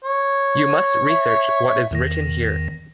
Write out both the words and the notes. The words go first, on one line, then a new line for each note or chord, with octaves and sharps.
You must research what is written here.
C#5
E5
E2 D#3 A#6